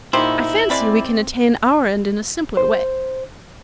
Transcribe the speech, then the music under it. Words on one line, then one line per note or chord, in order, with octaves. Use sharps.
I fancy we can attain our end in a simpler way.
A#2 D#4 E4 G4 C5
G#3 C4 D5 B5
C5